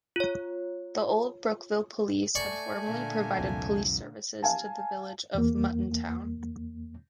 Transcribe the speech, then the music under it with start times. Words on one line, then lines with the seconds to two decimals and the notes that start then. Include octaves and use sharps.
The Old Brookville Police had formerly provided police services to the Village of Muttontown.
0.16 F4 C#5
2.35 A3 D5 G#5 C#6
2.87 A#2 D3
3.39 C2 F2
4.42 F5 G#5 A5
5.35 E2 A#3